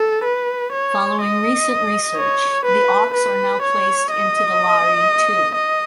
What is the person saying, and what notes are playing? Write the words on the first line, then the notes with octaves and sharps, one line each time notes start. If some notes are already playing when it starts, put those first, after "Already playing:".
Following recent research, the auks are now placed into the Lari too.
Already playing: A4
B4
C#5
D#5
C#5
B4
B4
C#5
D#5
D#5